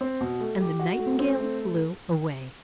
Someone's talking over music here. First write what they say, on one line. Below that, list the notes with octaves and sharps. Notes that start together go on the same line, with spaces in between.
And the Nightingale flew away.
C4
B2
A3
G4
F#4
A3
C4
A3